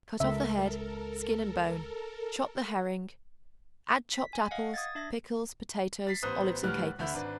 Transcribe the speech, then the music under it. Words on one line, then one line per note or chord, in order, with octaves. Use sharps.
Cut off the head, skin and bone; chop the herring; add chopped apples, pickles, potatoes, olives and capers.
C#2 C#3 G#3 A4 A#4 E5
B6
G#5
D#5 F5 F#5
D#6 G#6 A6
D4 E5 G#6 A#6
A6 B6 C7
A1 B3 B4 C5 D#6 F#6
D2 A2 G3 B4 F6 F#6
D2 D3 E5 B5 G6
G#1 D4 B4